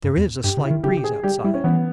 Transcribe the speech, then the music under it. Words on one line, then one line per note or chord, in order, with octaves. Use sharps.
There is a slight breeze outside.
G2
E2
G2 G4
C#3
E4
D#3
C#3 G4
G4
G#4
G3 G4
G3 E4
C#4
E3 B3